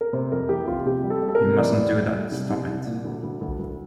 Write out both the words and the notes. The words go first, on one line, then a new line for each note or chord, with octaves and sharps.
You mustn't do that. Stop it!
A#4
C3 C5
F2 A#4
E3 G4
F1 F4
C3 G4
G3
A4
G3
A4
A#4
C3
E3 D5
A2
A2
G3
C2
C2
C2
A#2
D2
D2
D2
D2